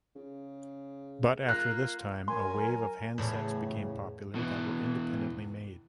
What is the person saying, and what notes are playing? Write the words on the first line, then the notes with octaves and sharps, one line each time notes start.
But after this time, a wave of handsets become popular that were independently made.
C#3
A#3 F4 F#6
F#3 A#4 G#5 C6
E2 A2 C#3
B2 E3